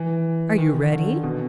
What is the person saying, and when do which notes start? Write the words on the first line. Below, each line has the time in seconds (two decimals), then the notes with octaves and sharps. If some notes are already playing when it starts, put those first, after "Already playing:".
"Are you ready?"
Already playing: E3
0.58 D#3
0.91 D3
1.23 B2